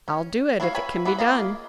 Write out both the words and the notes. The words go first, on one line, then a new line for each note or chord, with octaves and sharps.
"I'll do it--if it can be done."
C#4
D4 E4 F#4 C#5 F5
B4 C#5 E5 G#5 B5
E3 B3 B4 F#5
A#3 F4 G#4 D#5